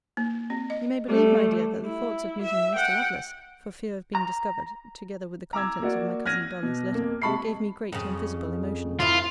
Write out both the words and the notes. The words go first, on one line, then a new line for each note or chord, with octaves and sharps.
You may believe, my dear, that the thoughts of meeting Mr. Lovelace, for fear of being discovered, together with the contents of my cousin Dolly's letter, gave me great and visible emotions.
A#3
C4
D#5
G3 A3
E4
E5
F#5 G5
A#5
A#5 D6 E6 G#6
A#3 F#4 D5
F6 F#6 G#6 A#6 D#7
B2
F2 A#3
C3 G#3 A5 B5 C#6 C7
F2 C#3
F2 E3 E4 F4